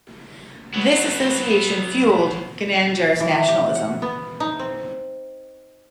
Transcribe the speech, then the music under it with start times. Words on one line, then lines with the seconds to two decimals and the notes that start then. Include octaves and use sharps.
This association fueled Ginandjar's nationalism.
0.74 F#3 B3
3.20 E3
3.48 G4
3.75 F#5
4.02 B3
4.40 D#4
4.59 C4